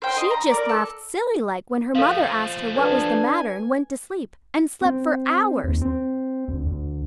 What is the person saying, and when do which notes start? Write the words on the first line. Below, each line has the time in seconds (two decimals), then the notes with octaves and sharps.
She just laughed silly-like when her mother asked her what was the matter and went to sleep and slept for hours.
0.02 C5 G5
0.16 D#5 C6
0.30 A#5
0.50 A#4 D5
0.69 A4
1.95 F3 A3 A4 F5
2.76 D4 A4 B4 G#5
4.81 C4
5.64 D#2
5.82 C4
6.48 D2
6.66 D2